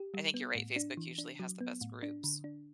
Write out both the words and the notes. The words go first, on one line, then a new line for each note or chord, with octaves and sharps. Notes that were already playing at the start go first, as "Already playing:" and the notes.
I think you're right, Facebook usually has the best groups.
Already playing: G4
G3
B3
A2
D4
E3
D4
F#3
B3
A2
D4
D3
D4